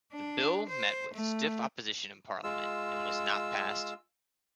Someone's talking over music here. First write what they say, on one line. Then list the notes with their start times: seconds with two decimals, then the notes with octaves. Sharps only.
The bill met with stiff opposition in Parliament, and was not passed.
0.13 D4
0.69 C5
1.14 A3
2.44 G#3 F4 E6